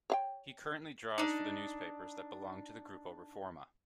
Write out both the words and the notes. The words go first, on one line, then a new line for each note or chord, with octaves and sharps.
He currently draws for the newspapers that belong to the Grupo Reforma.
C#5 F5 G5
D4 D#4